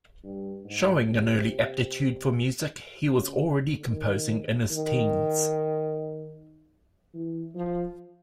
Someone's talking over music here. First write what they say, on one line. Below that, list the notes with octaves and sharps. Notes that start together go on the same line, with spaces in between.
Showing an early aptitude for music, he was already composing in his teens.
G2
G#2
C3
C#3
D3
D#3
D#3
E3
F3